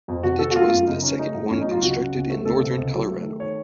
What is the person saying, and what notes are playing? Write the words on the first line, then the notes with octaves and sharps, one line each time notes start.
The ditch was the second one constructed in northern Colorado.
F2
F1 F#4
D#3 A4
F#4
A3 F4
F#2
F#1 D#4
C#3 C#4
A3 D#4
A2
A1 C#4
D#4
F#3
F4
C#2 F#4
C#3
C#2
A3
C#2 A4
C3
C#2
F#3
A3
D#3
C#5